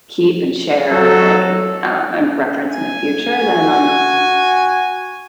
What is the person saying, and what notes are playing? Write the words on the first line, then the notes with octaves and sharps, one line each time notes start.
keep and share, like, uh, and reference in the future, then, um,
F#3 A4
G#5
F#4